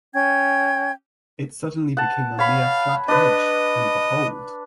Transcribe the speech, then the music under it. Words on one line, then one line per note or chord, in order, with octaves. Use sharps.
It suddenly became a mere flat edge, and behold!
C#4 G5 G#6
F#5 A5
C#5 F5 B5
D4 B4 D#5